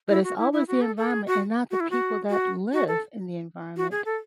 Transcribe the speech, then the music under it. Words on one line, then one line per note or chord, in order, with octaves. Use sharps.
but, it's always the environment and not the people that live in the environment.
E4
F#4
E4
E4
F#4
A4
A4
G#4
F#4
F#4
E4
F#4
F#4
F#4
A4
F#4
G#4
A4